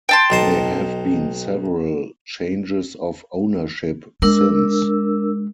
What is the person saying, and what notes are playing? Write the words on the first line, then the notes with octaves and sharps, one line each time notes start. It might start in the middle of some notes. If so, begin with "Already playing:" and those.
There have been several changes of ownership since.
G5 A5 C6
B1 D#4 C5
G#3 D4 A#4 E6